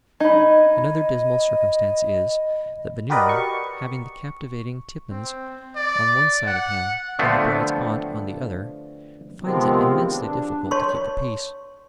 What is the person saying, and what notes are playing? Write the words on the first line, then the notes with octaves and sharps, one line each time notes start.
Another dismal circumstance is, that Veneering, having the captivating Tippins on one side of him and the bride's aunt on the other, finds it immensely difficult to keep the peace.
D#4 D#5 B5 G#6
F#4 G4 A#4 B4 D5 D#5
C#6
C4
D5
F#5
D3 F3 A3 B3 C4
C3 D#3 F3 G#3 B3 C4
D4
C#5 A5 C6 C#6